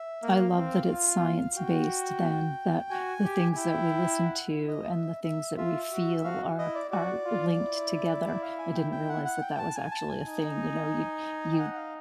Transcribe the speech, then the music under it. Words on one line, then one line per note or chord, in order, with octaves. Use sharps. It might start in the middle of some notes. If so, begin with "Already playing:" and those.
I love that it's science based then that the things that we listen to, and the things that we feel are are linked together. I didn't realize that that was actually a thing, you know, y you
Already playing: E5
A#3 F5
C4
F4
F#4 G5
F#4 G#5
G4
G#5
E4 G5
F#5
D#5
E5
E5
F4 E5
F#4
F#4 F5
E4 D#5
D5
F#4 D5
F4
E4
D5
F5
G#5
G5
G5
F#5
F#5
G5
A5
G#5
A5
G#5
D#4
G5
F#5
F5